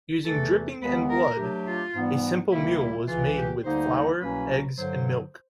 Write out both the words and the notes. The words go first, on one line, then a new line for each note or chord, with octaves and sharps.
Using dripping and blood, a simple meal was made with flour, eggs and milk.
E2 C3 E3 A3 A4
D#2 D#3 G#3 B3 B4
A#4
F#3 A3 D4 G4
F4
G#2 E3 G3 B3
D2 C3 D#3 G3 A#3 E4
E4
C#2 C#3 E3 F4
G4
D2 D3 G3 A#3 D#4 C5
C2 B2 F#3 A#3 C#4 B4
G2 D3 F#3 C5